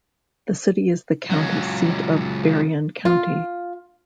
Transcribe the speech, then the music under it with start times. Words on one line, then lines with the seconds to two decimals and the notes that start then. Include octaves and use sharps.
The city is the county seat of Berrien County.
1.30 C#2 F#3
3.05 F4